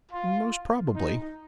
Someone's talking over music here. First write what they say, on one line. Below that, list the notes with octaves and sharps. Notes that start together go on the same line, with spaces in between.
"Most probably."
F4
D#4